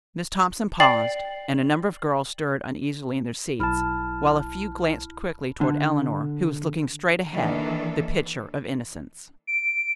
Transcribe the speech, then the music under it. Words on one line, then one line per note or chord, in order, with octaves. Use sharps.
Miss Thompson paused and a number of girls stirred uneasily in their seats, while a few glanced quickly toward Eleanor, who was looking straight ahead, the picture of innocence.
D5 G5 A6 C7 F#7
B1 E4 A5 B5 F6
D3
D#3 E3 A#3 D4 A4
D7